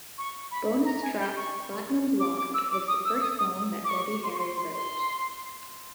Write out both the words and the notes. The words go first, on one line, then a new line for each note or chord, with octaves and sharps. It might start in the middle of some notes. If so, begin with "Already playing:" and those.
Bonus track "Platinum Blonde" was the first song that Debbie Harry wrote.
C#6
B5
A#5
G#5
G5
C#6
D6
D6
E6
D6
D#6
E6
D#6
D#6
D6
C#6
C6
C#6
C6
C6
C6